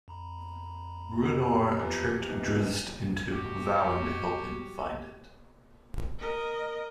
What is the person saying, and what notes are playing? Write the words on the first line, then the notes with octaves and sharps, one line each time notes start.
Bruenor tricked Drizzt into vowing to help him find it.
F2 A#5 B5
B3 F#4 G4 A#4
E2 F3
G3 D#4
F#4 G4
A#4 D#5